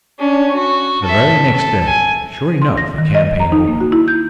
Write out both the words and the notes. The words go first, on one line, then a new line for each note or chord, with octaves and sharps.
The very next day, sure enough, the campaign opened.
C#4 D4
F#4
A4 E5
A4
G#5
C6
A#6
D#3
D#5
A#5
D#4
A#3
F#4
E4
G6